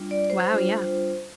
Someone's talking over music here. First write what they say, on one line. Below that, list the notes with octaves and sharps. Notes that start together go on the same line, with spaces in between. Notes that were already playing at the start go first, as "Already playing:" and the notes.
Wow, yeah.
Already playing: G3 D4 F4
D5
C5
G3 D4 F4